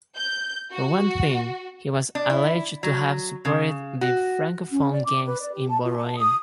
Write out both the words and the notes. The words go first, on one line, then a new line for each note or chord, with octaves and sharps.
For one thing, he was alleged to have supported the Francophone gangs in Voeren.
G6
F#4
D4
E4
F#3
C#3
F#4
C#4
D5
D6
B4
D5
G4
A5
F4
A5
D#6